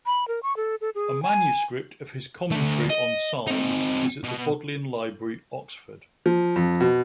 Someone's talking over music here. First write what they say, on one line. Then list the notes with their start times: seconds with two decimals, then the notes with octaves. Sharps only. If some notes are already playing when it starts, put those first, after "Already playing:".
A manuscript of his commentary on Psalms is at the Bodleian Library, Oxford.
0.06 B5
0.28 A#4
0.43 C#6
0.57 A4
0.81 A4
0.95 G#4
1.23 G#5
2.51 D2 A3
2.90 D#5
3.47 C4 D#4
4.23 B2
6.26 F3
6.56 F2
6.80 B2